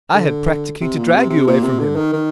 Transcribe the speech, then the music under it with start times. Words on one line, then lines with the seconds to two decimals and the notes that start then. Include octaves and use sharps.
I had practically to drag you away from him.
0.14 D3
0.81 C3
0.97 A#2
1.14 C3
1.30 C3
1.47 A#2
1.63 C3
1.79 D3
1.96 D#3
2.13 D#3